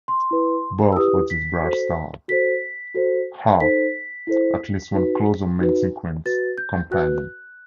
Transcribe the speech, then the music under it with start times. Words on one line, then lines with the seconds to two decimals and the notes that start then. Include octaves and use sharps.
Both of these bright stars have at least one closer main sequence companion.
0.08 C6
0.31 E4 B4
0.92 E6
0.96 E4 G4 B4 D#6
1.30 B6
1.63 F#4 A4 C5
2.28 F#4 A4 C5 B6
2.95 F#4 A4 C5
3.60 D#4 A4 C5 B6
4.27 E4 A4 C5
4.93 D#4 F#4 B4
5.60 D#4 F#4 B4
6.25 F#4 B4 A6
6.58 G6
6.91 F#4 B4 F#6